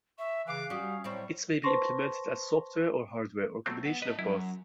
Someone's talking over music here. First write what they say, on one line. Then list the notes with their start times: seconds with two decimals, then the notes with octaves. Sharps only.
It may be implemented as software or hardware or combination of both.
0.19 E5 C#6
0.47 C#3 E3 F5 D6 F#6
0.70 G3 C#4 F#4 D#6
1.04 A2 F#3 G3 C4 E4 C#6
1.63 B4 C5 A5 C6 C#6 A#6
3.66 F#3 A3 C4
3.85 B3
4.02 D4 B4 D#5
4.19 F#2 E4